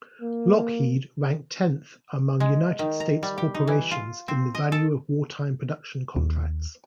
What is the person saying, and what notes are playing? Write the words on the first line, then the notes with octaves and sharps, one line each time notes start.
Lockheed ranked tenth among United States corporations in the value of wartime production contracts.
A#3
G#3
D#3
A#5
G3
G4
D#4
E3
F4
C4
D#5
A4
D#2